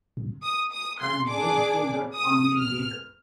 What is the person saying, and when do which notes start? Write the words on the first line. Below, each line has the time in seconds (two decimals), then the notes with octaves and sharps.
And don't pull that on me neither!
0.43 D#6
0.72 D#6
1.00 C6
1.28 D4 G#4 D6
2.15 D#6
2.57 F6